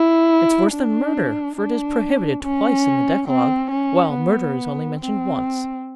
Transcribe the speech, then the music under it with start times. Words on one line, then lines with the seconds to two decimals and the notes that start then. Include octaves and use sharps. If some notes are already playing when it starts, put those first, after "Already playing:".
"It's worse than murder, for it is prohibited twice in the decalogue, while murder is only mentioned once."
Already playing: E4
0.72 D4
1.57 D4
2.43 C#4
3.28 C4
3.71 C#4
4.14 B3
5.00 C4